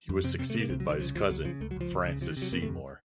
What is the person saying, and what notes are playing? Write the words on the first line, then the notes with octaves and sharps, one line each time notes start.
He was succeeded by his cousin, Francis Seymour.
F2
C3 C4
C3 C4
A3
C3
A#3
C2 C4
F#3
C2 D#3
C#3 F3
C#2 F3
C#2 F#3
C#3 F3
C#2 A3
F#3
C#2 F3
C#2
C#3
C3 F3
D#3
C3
F#3
F2 A#3
A3
F2